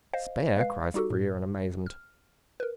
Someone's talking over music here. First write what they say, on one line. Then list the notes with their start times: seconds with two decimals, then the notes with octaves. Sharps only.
"Spare!" cries Frere, in amazement.
0.14 C5 D#5 F5
0.56 G#3 B4 F5
0.94 G3 D#4 F#4 G4 A4
1.10 A2
1.86 F6
2.60 A#4 B4